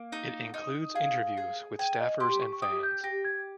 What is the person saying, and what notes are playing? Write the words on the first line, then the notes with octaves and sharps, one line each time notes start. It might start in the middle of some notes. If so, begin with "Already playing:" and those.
It includes interviews with staffers and fans.
Already playing: A#3
D#4
D#4
G#4 F5
G#4
G5 G#5
D#5
G4 C6
C#6
C#6
G4 D#6
G6
G4 A#6
G#6